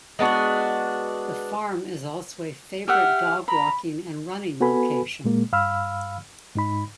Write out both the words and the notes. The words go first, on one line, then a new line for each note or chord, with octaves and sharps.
The farm is also a favorite dog walking and running location.
G#3 B3 D4 F#4
G4 E5 F#5 F6
A#5 B5
B3 F#4 A4 B4 G#5 B5
A#2 G#3 A#3
G2 F5 B5 E6 F6
G#2 D#4 B5